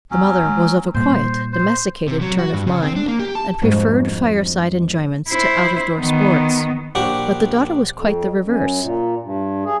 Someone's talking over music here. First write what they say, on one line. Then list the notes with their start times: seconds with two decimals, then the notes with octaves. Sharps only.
The mother was of a quiet, domesticated turn of mind, and preferred fire-side enjoyments to out-of-door sports; but the daughter was quite the reverse.
0.11 E2 F#3 C#4
0.45 G#3 A3
0.94 A#2 G3 C5
1.53 C5
2.08 C3
2.21 F#3
2.39 F#4
2.53 G2
2.67 C#3
2.82 C4
2.96 D4
3.08 A#3
3.19 G4
3.35 A5
3.62 F2 G#2 G3 D4 F#4
5.29 E4 C5
5.99 D#3 B3
6.95 A#1 D4 G4 F#5 C#6
7.94 F2
8.43 F#2
8.81 A#2
9.21 G2
9.65 G#4